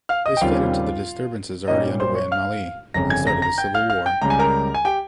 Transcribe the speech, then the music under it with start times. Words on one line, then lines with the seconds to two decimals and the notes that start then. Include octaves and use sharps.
This fed into the disturbances already underway in Mali, and started a civil war.
0.09 F5 F6
0.26 D#5 D#6
0.37 G5
0.41 D#2 C#3 G3 C4 F4 F5
1.68 A#2 G3 C#4 D#4 D#5
2.00 C5 C6
2.15 C#5 C#6
2.31 F5 F6
2.94 G1 F2 C#3 G3 A#5 A#6
3.10 G#5 G#6
3.27 A#5 A#6
3.42 A#5 A#6
3.58 G5 G6
3.74 F5 F6
3.90 F5 F6
4.06 G5 G6
4.22 C#2 C#3 G3 A#5
4.30 G#5
4.39 A#4 A#5
4.75 G#5
4.85 G4 G5